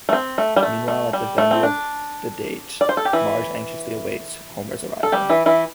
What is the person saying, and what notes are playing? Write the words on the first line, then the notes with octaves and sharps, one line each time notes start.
Meanwhile, at the venue of the date, Marge anxiously awaits Homer's arrival.
A3
C4
A3
G3
A3
A3
G3
A3
C4
D4
D5
C5
A4
G4
E3 E4
A4
G3 G4
E3 E4
E3 E4